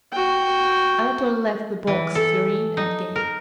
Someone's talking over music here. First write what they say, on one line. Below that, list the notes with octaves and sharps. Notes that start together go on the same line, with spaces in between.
Anatole left the box, serene and gay.
F#4 G5
E3
A4
D#4
A#4